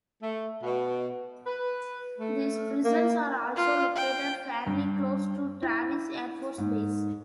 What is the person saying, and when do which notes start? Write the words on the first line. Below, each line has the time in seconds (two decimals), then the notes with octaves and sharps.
These prisons are also located fairly close to Travis Air Force Base.
0.22 A3
0.63 B2
1.47 B4
2.19 A3
2.84 A#3
3.56 F4
3.96 G5
4.67 G2
5.62 E4
6.58 G#2